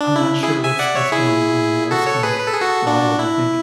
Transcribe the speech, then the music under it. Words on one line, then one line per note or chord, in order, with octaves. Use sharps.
I'm not sure what's what's going on there. That's kind of wild to think.
D4
E4
E4 G#4
E5 G#5
D5 F#5
C#5 E5
E4 G#4
F#4 A4
A4 C#5
G#4 B4
B4
A4
G#4
F#4 A4
D4 F#4
E4